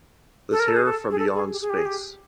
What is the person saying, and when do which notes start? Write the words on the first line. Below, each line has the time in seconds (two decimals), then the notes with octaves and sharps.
The Terror from Beyond Space.
0.51 A4
0.60 A#4
0.68 A4
0.76 G#4
0.85 A4
1.10 G#4
1.19 A4
1.35 G#4
1.52 G4
1.61 G#4
1.70 G4
1.78 G#4
1.85 G4